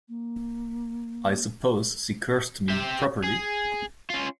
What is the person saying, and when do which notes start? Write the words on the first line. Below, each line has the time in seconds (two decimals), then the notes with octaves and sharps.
I suppose she cursed me properly?
0.09 A#3
2.69 G4 E5
3.24 G#4
4.10 C#4 F4